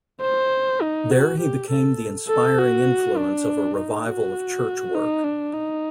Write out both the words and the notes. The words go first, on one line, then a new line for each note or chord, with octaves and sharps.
There he became the inspiring influence of a revival of church work.
C5
D#4
F#4
G4
A4
A4
F#4
D4
D#4
F#4
D#4
D4
D#4